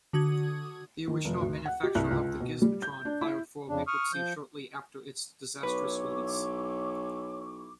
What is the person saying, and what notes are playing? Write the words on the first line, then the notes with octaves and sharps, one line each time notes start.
The original manufacturer of the Gizmotron filed for bankruptcy shortly after its disastrous release.
D3 F#4 D#6 G#6
D#3
F1
D2
F#5
G4
C2
C#2
B2
G3
G6
D4
E4
F2 C#3 D4
C#6 D#6 F6
F3 G6
B1 E4 B4 C#5 C#6 D6